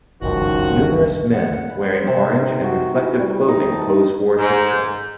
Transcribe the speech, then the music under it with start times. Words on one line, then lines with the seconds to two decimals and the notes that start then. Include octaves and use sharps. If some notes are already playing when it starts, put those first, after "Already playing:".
Numerous men wearing orange and reflective clothing pose for a picture.
0.22 F#1 C#2 G2 D#3 F3 C#4 F#4
1.33 F#5
1.53 F#5
1.70 B5
1.92 C5
2.07 C3
2.30 D#4
2.64 F#4
2.95 E3
3.19 G3
3.48 D#4
3.72 A5
4.39 G#2